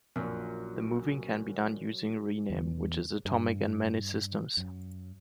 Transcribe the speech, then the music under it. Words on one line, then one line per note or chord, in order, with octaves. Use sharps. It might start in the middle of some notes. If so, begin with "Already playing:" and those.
The moving can be done using rename, which is atomic in many systems.
A#1 F#2 F3
E2
G2
F#2